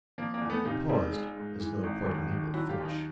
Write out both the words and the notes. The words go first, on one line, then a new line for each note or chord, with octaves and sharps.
He paused as though quite unable to finish.
F3 A#3
A#3
E2
A3 B3
C3 D#4 F4
E1
G#3
G#2
E3
G#1
D#2
D#3
F#3 E4 F#4
F4 G4
D#2
D#4 F4